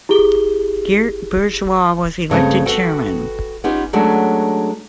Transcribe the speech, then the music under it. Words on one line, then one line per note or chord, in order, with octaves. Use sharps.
Geert Bourgeois was elected chairman.
E4 G4 G#4 G7
G2 C#3 A3 C4
F#4 A4 B4 G5
B3 C#4 D#4 F4 G4
F#3 G#3 A3 C#4 D4 F#4